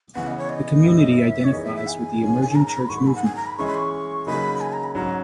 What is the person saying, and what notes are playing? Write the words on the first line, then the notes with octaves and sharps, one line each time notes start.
The community identifies with the Emerging Church movement.
C#3 E3 B3 F#5
D#5
C#5
D#5
F#2 D#3 A#3 E4
E5
C#5
E3 B3 D#4 G#4 D#5
E5
E5
G#5
G#2 D#3 G#3 C#4
A#5
A#5
B5
G#2 D#3 F#3 C#6
B5
G#5
F#5
G#5
A#5
B5
E3 G#3 C#4 E4 G#4 C#6
B5
C#6
C#3 F#3 A#3 D#4 G#4 B5
G#5
A#5
B5
G#2 F#3 C#4 A#5